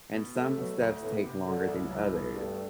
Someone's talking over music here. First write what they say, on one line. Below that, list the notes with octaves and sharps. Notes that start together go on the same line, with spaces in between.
and some steps take longer than others,
B2
A3
B2 F#3
D2
A2 B3
C3
D3 F#3
C2
C2
B2
G2 A3